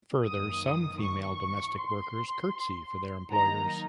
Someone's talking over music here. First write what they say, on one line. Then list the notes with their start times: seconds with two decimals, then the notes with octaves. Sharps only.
Further, some female domestic workers curtsey for their employers.
0.24 F#2 D#3 A#3 D#6
1.01 C#6
1.78 C6
3.30 D#3 F#3 A#3 D#4 A#5